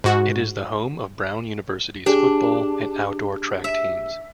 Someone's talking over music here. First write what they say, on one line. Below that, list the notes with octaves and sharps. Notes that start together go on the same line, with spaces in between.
It is the home of Brown University's football and outdoor track teams.
G#2 F#4
D4 G4 G#4
E5